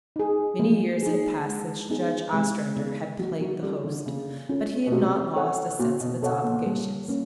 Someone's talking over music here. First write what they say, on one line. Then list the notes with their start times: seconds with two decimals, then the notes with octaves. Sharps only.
Many years had passed since Judge Ostrander had played the host; but he had not lost a sense of its obligations.
0.16 D#4 G#4
0.59 F3 A#3
1.03 D#4 G#4
1.46 G#3
1.90 B3 D#4 G#4
2.33 C3 G#3
2.76 C#3 B3 D#4 G#4
3.19 F#3 A#3
3.41 F#3
3.62 G3 C#4 F4 A4
3.84 D3
4.06 C#3 A#3
4.49 C#4 F4 A4
4.87 B2
4.92 C3 F#4
5.36 A4 C#5 F#5
5.79 A#2 F#4
6.00 B2
6.22 B2 A4 C#5 F#5
6.44 A#2
6.66 G3
7.08 A#3 C#4